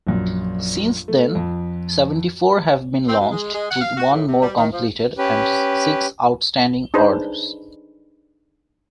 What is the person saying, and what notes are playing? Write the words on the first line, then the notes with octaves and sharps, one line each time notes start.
Since then, seventy-four have been launched, with one more completed, and six outstanding orders.
A#1 F#2
A3
F2
C4
F#2
G#3
G#3
F#5
F5
F#4
A2
C3
G3
D#3
F3
C#4 G4 B4
D4 D#4 G#4 B4 C5